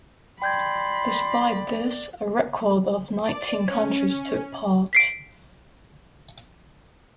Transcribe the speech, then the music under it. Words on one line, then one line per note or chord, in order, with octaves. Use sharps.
Despite this, a record of nineteen countries took part.
D5 G5 B5 C6 G6 G#6
D5
C#4
B6 C7 D7